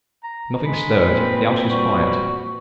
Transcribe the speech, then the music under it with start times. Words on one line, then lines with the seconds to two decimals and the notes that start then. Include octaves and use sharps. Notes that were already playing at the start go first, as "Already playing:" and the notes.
Nothing stirred--the house was quiet.
0.24 A#5
0.65 G#3 B5
1.01 A#2 C4 B4
1.70 G3 F#4